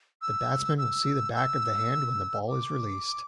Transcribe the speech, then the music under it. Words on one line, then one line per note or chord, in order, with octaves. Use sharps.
The batsman will see the back of the hand when the ball is released.
E6
E6
E6
D6